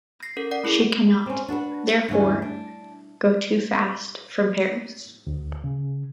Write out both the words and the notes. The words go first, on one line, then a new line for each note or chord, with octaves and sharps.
She cannot, therefore, go too fast from Paris.
A#6 C7
C#4 A4 A#4
D5 F#5 C7
A3 E4 G#4 A4 C7
C4 C#4
D4 F#4 A4 B4
D2 G2 E3 C#4
D4
D2
C#3